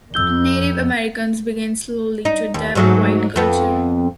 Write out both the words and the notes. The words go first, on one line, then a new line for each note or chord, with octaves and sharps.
Native Americans began slowly to adopt white culture.
F2 E6 G6 G7
D#4
D#2
G#2 F#3 A3
F2 B3